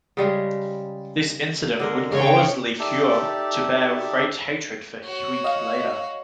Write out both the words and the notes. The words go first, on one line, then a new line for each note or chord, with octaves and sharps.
This incident would cause Li Kuo to bear great hatred for Huige later.
C#3 G3 G#3
D3 G#3 A#4
C#3 G#3 C#5 G5
D#4 G4 A4 D5 E5 A5
F#4 C#5
D#5 F5